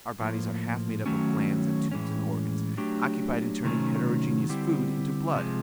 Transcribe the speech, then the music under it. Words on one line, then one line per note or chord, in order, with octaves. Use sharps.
Our bodies are half made up of glands and tubes and organs, occupied in turning heterogeneous food into blood.
A2 F3 A#3
D#3 F#3 A3 C#4
A2 E3 G#3 C#4
F#3 A3 D4 G4
C3 D#3 F#3 A3 C#4
D3 G3 C4 E4 G4
C3 F3 G#3